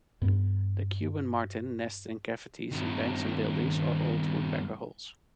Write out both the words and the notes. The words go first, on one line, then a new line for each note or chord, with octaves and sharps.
The Cuban martin nests in cavities in banks and buildings, or old woodpecker holes.
G2 B3
G2 D#3